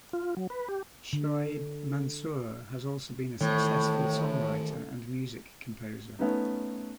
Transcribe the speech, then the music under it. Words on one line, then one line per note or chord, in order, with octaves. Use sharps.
Shoaib Mansoor has also been a successful songwriter and music composer.
F4
F#3
B4
G4
D3
A2 D#3 E3 A3
A3 B3 C#4 D#4